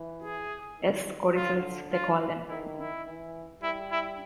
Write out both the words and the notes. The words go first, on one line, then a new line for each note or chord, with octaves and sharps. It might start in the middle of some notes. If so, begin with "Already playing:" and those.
Yes; 'codicils,' they call them.
Already playing: E3
G#4
D#3
D3 F4
F4
D#3 E4
E4
E3
G3 E4
E4